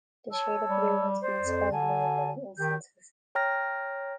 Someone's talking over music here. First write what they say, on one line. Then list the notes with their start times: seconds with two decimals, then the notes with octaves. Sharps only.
The shade of blue has been sky blue in many instances.
0.31 C#5 A5 E6
0.68 G3
1.21 C5 D5
1.40 F2
1.71 D3 G#5 A5
2.58 D#3 G4 G6
3.35 C#5 G5 A#5 F6 A#6